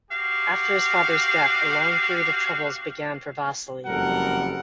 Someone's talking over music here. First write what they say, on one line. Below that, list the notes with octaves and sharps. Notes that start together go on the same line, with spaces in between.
After his father's death, a long period of troubles began for Vasily.
F#4 G4 F5
F#1 F2 G3 A4 A#4 F#5